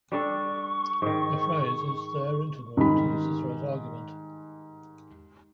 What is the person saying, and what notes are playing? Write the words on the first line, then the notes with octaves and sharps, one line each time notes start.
The phrase is there integral to Cicero's argument.
G3 D4 A4 C#6
G#2 D#3
G#2 D#3 G3 B5